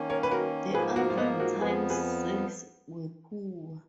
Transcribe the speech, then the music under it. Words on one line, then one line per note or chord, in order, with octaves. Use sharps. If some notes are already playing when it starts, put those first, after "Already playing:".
The Avantime's sales were poor.
Already playing: D#3 A#3 C#4
A#4 C#5
B4
F#4 A#4
G#2 F3 A#3 G#4 B4
F#4 A#4
F4
B3 D#4
F#4 A#4
F2 F3 B3 G#4 B4
G#4 B4